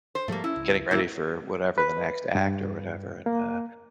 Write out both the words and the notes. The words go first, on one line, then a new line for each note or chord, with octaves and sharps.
getting ready for whatever, the next act or whatever, and, uh,
C5
G#2 F3 G3 A3 A#3
C#4 E4
C#2
D1 A2 F3 A#3 E4
B4
G2
A#3